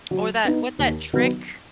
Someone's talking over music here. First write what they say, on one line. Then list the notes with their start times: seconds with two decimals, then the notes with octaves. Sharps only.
Or that what's that trick?
0.11 F#3
0.45 B3 D#4
0.79 D#2
1.13 D#3 F#3 B3 D#4